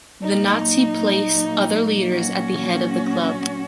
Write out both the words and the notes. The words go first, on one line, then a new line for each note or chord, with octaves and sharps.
The Nazi place other leaders at the head of the club.
A#2 F#3 A#3 D#4
C#4 F#4